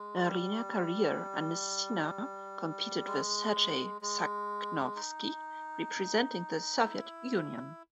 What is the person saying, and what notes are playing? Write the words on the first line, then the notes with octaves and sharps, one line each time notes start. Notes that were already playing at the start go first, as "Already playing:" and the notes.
Early in her career, Anissina competed with Sergei Sakhnovski, representing the Soviet Union.
Already playing: G#3
G3
G#3
G#3
D#4
E4